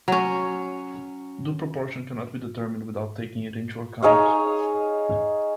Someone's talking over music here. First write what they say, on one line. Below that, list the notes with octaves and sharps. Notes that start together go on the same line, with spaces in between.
Due proportion cannot be determined without taking it into account.
F#3 C#4
D#4 G#4 C#5 F5